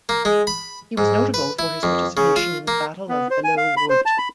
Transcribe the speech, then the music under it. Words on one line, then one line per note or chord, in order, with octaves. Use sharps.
He was notable for his participation in the Battle of Belleau Wood.
A#3
G#3
B5
G#2
B4
E4
F2
C#3
F4
A#3
B3
C5
G#5
F5
B5
C5
A5
B5